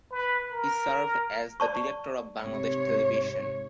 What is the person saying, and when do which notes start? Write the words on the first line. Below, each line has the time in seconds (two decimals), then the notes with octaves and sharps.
He served as the director of Bangladesh Television.
0.11 B4
0.52 A#4
1.60 D5 A5 C#6
2.41 G#2 C3 C#5